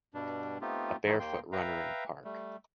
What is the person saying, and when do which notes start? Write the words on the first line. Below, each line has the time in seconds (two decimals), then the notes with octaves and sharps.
A bare foot runner in a park.
0.14 G2 B2 G3 D4
0.61 A3 B3 C4 D#4 F4 G4
1.06 E3 F3 A3 D#4 E4
1.20 D#2 D#3 A#3 G5 C6
1.52 B4 E5 F5 G5 A#5
2.25 G3 A3